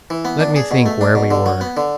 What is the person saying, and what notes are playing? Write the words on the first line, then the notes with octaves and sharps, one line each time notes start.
LET me think where we were.
E3
B3
D4
G#4
B2
A3
D4
B2
D3
F#3
B3
D3